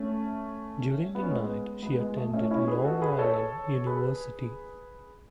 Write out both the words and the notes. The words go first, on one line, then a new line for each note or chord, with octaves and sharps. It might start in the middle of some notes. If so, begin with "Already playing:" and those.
During the night she attended Long Island University.
Already playing: A3 C#4
B3
C#4
G#3 B3
G#3 B3
G#3
A3
A3 C#4
C#4 E4
G#4 B4
F#4 A4
G#4 B4
A4 C#5
G#4 B4